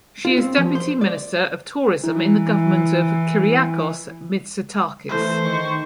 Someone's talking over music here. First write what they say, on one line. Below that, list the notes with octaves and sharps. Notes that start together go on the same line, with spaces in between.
She is Deputy Minister of Tourism in the government of Kyriakos Mitsotakis.
F4
C4
F3
C5
D5
E3 E4
E3 A3 C5
D#3 C#6